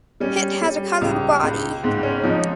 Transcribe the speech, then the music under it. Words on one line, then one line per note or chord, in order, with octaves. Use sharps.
Hit has a colored body.
G3 C#4
G3
C#2
C#2
G#2 C4
C#4
F3 D#4